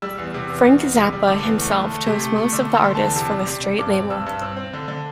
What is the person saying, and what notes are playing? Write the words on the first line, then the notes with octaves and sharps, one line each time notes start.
Frank Zappa himself chose most of the artists for the Straight label.
G3 E6
E2
C3
E2
E2
E2
C3
G3
D3 D6
E2
A3
D3
A3
C3
A3
A3
D3 D6
A3
C6
D3
E2 A5
C3 A5
D4
C3
D4
G2 D6
C4
G2 E6
G2
C4 E6
C4
D3
D3